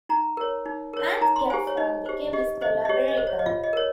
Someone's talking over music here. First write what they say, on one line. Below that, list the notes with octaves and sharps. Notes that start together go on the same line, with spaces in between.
Hans Gaffron became his collaborator.
D#4 A#5
A#4 C#5
D#4
A#4 C#5
D#4 A#5
C6
G4 C5 G#5
C#5
D#4 D#5
G4 C5
G4 D#5
C5 D#5
D#5
G4 C#5
D#5
C5
C#5
D#5
F4 F5
D#5
A#4 C#5